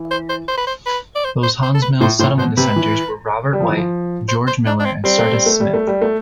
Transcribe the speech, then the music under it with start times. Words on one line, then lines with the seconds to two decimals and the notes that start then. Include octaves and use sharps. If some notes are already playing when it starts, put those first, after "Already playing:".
Those Haun's Mill settlement dissenters were Robert White, George Miller, and Sardis Smith.
Already playing: E3
0.11 C5
0.29 C5
0.48 C5
0.57 B4
0.67 C5
0.86 B4
1.15 D5
1.24 C5
1.43 C5
1.62 C5
1.75 A4
1.82 B4
2.01 A2 C5
2.19 A2 C5
2.38 B2 C5
2.57 C3 B4
2.76 E3
3.53 G3
3.60 F3
3.69 E3
3.77 F3
4.28 C5
4.47 C5
4.66 D4
4.80 D4
4.85 C4
5.04 G3 C4
5.18 A3
5.32 G3
5.46 A3
5.60 G3
5.74 A3
5.87 G3
6.02 A3